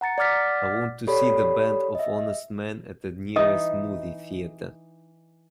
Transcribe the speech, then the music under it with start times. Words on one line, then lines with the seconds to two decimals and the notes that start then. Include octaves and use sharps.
I want to see The Band of Honest Men at the nearest movie theatre.
0.01 F#5 A#5 A6 C#7
0.18 D5 F#5 D6 F6 A6 B6
1.07 G4 A4 C#5 D5 B5
1.95 D#5 E5
3.36 E3 D#4 D#5 D#6